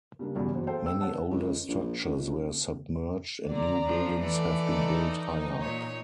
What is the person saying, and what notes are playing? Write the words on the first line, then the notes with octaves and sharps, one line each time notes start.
Many older structures were submerged, and new buildings have been built higher up.
C#3 G3 A#3 D4
B1 E2 G2 C#3 F#3
F#1 E2 F#4 C5
G#4 A4 C5 F5 G5 A5
G5 E6
C#5 F#5 A5 E6
C#2
A#1
C#2
D3 D5 A#5
F3 D4
E3 A3 A4 D5
D#4
A#2 C#5